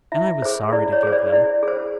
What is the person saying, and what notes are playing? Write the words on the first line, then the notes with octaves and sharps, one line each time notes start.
And I was sorry to give them.
E4 E5
G#4 C5
E4 D5
C#5
G#4 C5
D5
E4 D5
G#4 C5